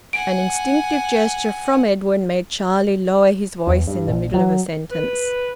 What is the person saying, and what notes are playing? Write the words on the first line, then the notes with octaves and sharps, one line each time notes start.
An instinctive gesture from Edwin made Charlie lower his voice in the middle of a sentence.
F#5 G#5 D7
E2
G2
A#1
F#3
B4